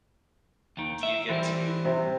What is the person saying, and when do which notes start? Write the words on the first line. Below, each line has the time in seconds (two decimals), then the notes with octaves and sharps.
Do you get to
0.77 D#2 D#3
1.03 E5
1.29 E3 G3 C4
1.85 C3